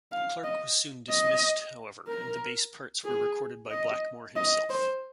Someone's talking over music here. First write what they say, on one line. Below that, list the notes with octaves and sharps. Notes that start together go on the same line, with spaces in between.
Clarke was soon dismissed, however, and the bass parts were recorded by Blackmore himself.
F5
D#5
D#5
A#4
G#4
D#5
D#5
C5